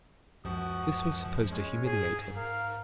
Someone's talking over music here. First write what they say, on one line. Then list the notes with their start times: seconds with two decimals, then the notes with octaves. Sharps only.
This was supposed to humiliate him.
0.45 C#2 F#2 F3 F#4 D#6
1.50 G#3 C#4
1.85 G#2 G#4
2.36 A#4 F5